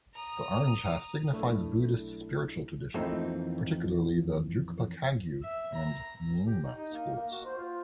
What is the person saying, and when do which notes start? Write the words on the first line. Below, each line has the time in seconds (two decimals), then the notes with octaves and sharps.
The orange half signifies Buddhist spiritual tradition, particularly the Drukpa Kagyu and Nyingma schools.
0.14 A#5 D#6
1.33 B1 A3 D4 E4
2.94 F2 E3 A3 A#3 C4 D#4
5.42 E5
5.74 A#5
6.46 G4
6.64 D#4
6.75 D#4
6.93 A#3
7.15 A#3
7.32 F#4
7.45 C5
7.57 F4